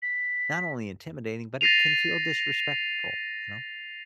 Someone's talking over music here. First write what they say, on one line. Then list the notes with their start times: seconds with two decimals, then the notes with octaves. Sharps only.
not only intimidating, but it can feel disrespectful, you know?
0.02 B6
1.61 A6 A#6 C7 D#7 F7